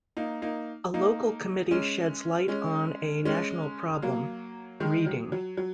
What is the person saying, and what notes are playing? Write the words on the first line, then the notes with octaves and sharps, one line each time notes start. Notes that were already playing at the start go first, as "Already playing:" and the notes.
A Local Committee Sheds Light on a National Problem: Reading.
A#3 D#4
A#3 D#4
A#3 D#4
G#3 C#4
G#3 C#4
G#3 C#4
F#3 A#3
D#3 G#3
F#3
F#3
F#3